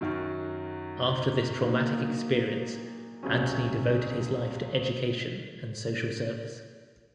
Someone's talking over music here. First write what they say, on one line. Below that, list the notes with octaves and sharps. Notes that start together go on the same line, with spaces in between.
After this traumatic experience Antony devoted his life to education and social service.
F#2 D#3 F#3
A#2 F#3 A#3 D#4
C#2 C3 F#3 C#4